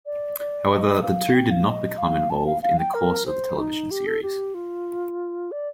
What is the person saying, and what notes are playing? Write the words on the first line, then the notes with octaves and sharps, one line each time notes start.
However, the two did not become involved in the course of the television series.
D5
D5
D#5
F5
G5
F5
D#5
F5
A5
F5
F5
G5
A#4
C5
D#4
G4
A4
G4
F4
D5